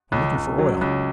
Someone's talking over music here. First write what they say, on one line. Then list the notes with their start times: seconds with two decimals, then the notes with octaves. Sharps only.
I'm looking for oil.
0.12 C#2
0.35 C#2
0.58 F#3
0.81 C#2